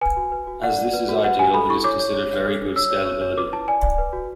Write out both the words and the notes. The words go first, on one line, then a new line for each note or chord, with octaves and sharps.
As this is ideal, it is considered very good scalability.
B4 G#5
F#4
B4
F#4
D5 F#5
D5
B4
F#4
B4 F#5
F#4 G#5
A4 B5
E4 C#6
C#5 D6
C#5
C#5
C#5
A4
D4
C#5 E6
C#5
C#5
C#5
B4 D6
E4 A5
D5 G#5
D5
B4
F#4